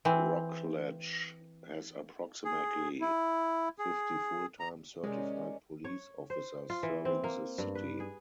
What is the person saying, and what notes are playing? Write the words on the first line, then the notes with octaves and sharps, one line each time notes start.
Rockledge has approximately fifty full-time certified police officers serving the city.
E3 C4
G#4
E4
G#4
A#5
C3 D#3 G#3 C#4 A#4 D5 D#5 G#5
C#5
C5
F4
E3
C4
A#3
G2
B4
G#4